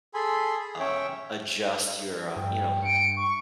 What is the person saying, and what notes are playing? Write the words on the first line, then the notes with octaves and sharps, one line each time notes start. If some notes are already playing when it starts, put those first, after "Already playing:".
um, adjust your, um, you know,
G#4 A4 G#5 B5 C6
G#4
C#4 C#5 E5 G5
G2 G5
G2 C#7 D7
C#6